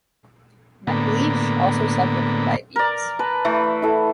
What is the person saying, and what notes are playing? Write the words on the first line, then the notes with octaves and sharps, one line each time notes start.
MacLeish also suffered from diabetes.
A2 D3 A#3 B3
A#4 D5
B4 A5
E3 A3
E4 A4 F#5